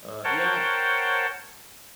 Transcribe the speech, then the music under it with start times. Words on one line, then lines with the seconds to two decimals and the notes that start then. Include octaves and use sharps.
Uh, yeah,
0.24 A#4 C5 C#5 F#5 G5 A5